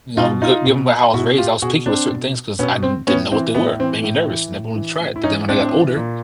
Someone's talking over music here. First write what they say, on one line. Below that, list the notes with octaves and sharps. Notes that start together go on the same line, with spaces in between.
you know, g given by how I was raised, I was picky with certain things 'cause I didn't didn't know what they were, made me nervous, never wanted to try it. But then when I got older,
B2 D#4 F4
D#4 F4
B2
B2 E4 F#4
F4 G4
B2 F#4 G#4
C4 D4
B2
B2 B3 C#4
C4
A2 B3 C#4
E3 C4
A2 B3
E3 C4
A2
E3
A2
E3
A2
E4
E3 C#4 D#4
A2 C4 D4
E3
A#2